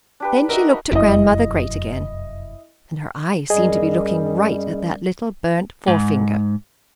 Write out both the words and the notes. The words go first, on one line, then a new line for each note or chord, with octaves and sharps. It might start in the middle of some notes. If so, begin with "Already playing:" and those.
Then she looked at Grandmother Great again and her eyes seemed to be looking right at that little burnt forefinger.
D4 G4 B4
D#4 F#4 A#4 E5
F1 F#2 E4 D#5
F#2 G3 G#4 D#5
G#2